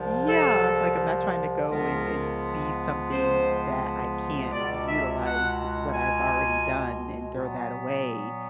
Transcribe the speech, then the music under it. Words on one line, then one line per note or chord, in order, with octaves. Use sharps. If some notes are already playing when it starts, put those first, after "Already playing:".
Yeah, like, I'm not tryna go and and be something that I can't utilized what I've already done and throw that away.
Already playing: C2 C3 F3
A4
C#2 C#3 F3 G#3 B3 A#4
C5
C#2 B2 G#3 D5
E5
F#5
G#5
A#2 F#3 B3